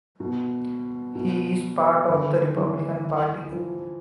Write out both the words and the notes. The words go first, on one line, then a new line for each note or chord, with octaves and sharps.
He is part of the Republican Party.
B2
B2
D3
E3
F3